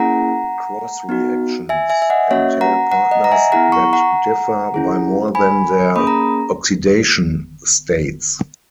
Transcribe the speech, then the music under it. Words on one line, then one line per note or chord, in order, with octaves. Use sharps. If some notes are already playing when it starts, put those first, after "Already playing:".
Cross reactions entail partners that differ by more than their oxidation states.
Already playing: A#3 C#4 E4 G#4 F#5 A#5
B3 D#4 F#4
E5 G#5
E5 G#5
E5
D#5 F#5
A#3 C#4 F#4 C#5 E5
F#5 A#5
F#5 A#5
D#5 F#5
A#5
E5 G#5
B3 E4 G#4 F#5 A#5
A#5 C#6
F#5 A#5
C#4 E4 G#4
G#5 B5
A#3 C#4 G#4 B5 D#6
A#5